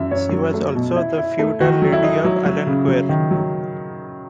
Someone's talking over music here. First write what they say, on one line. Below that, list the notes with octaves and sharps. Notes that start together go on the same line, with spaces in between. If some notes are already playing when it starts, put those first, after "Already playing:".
She was also the feudal Lady of Alenquer.
Already playing: F#2 E3 E5
F#2 C#5
F#3
A3
B2
E4
E4
A3
D#3 F#4
F#3
E4
D#4
F#3
F#3
C#3
F#3
D#3
F#3